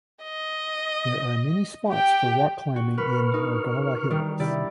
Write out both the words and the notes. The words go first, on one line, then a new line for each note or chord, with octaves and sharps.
There are many spots for rock climbing in Margalla Hills.
D#5
G4 G5
F#4
A#4 B4 C#6 F6
D#4
D#3 G3
C3 D#3 E4 G4 D5